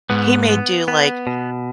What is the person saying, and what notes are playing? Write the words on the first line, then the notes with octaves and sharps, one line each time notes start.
he may do, like,
G#2 B3
B3
B3
B2